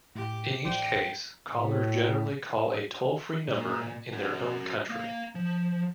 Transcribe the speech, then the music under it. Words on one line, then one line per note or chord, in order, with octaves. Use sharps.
In each case, callers generally call a toll-free number in their own country.
A2 G4
A1 C5 D5 G5
A2
A#2
F#4 A#4
A#3 F5
F3